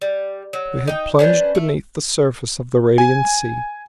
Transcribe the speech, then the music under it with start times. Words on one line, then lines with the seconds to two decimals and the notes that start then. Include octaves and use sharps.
We had plunged beneath the surface of the radiant sea.
0.01 G3
0.53 F#3
0.87 D#4 G5
1.19 C#4 D4 B4 C5
1.55 A3
2.98 G#5